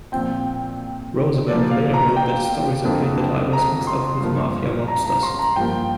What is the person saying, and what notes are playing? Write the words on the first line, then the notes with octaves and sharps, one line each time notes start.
Roosevelt later wrote that Stories appeared that I was mixed up with Mafia mobsters.
A#2 F3 C4 G5
A#2 F3 A#3 D5
F5
A#5
G5
F2 D3 A#3
A#5
C6
G2 F3 A#3
A#5
A#5
C6
A#5
G2 F3 A#3 G5